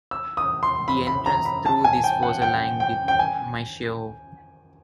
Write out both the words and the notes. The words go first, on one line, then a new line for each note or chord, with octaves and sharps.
The entrance through this was aligned with Maeshowe.
E6
D#6
C6
B5
B5
A#5
B5
A5
G#5
G5
F#5
G5
G5
G5
G#5